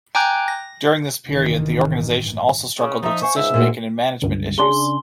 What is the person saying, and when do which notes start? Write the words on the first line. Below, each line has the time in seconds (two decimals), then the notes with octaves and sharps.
During this period, the organization also struggled with decision-making and management issues.
0.15 G5 G#5 A#5 D6 F#6 G6
0.48 A#6
1.27 A1 G2 C3 D#3 E3
2.79 C#3
3.03 F3 D#4 E5
3.22 C5 F5 G#5 C#6
3.36 C#2 G#2 E5
3.54 A#2 A#3 F#4
4.22 C#2 G2 D3
4.58 C#3 D4 G#4 G#5 C6 G7